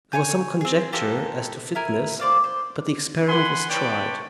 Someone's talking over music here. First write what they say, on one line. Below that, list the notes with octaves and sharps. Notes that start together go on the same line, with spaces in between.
There was some conjecture as to fitness, but the experiment was tried.
C#5 F5 G#5 G6
C4 G#4
F4 G4 A4 A#4
E4 A#4 G#5
C5 D5 F5
C5
F#5 G#5 B5 C6
B4 C#5 D5 G5 A5